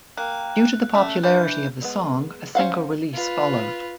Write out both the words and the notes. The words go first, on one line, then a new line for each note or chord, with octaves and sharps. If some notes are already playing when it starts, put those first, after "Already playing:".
Due to the popularity of the song a single release followed.
A#3 G5 F#6
A3 C#4
E3 D4 G6
G#3 B3
C#4 C5 F5 F#5
F4 B4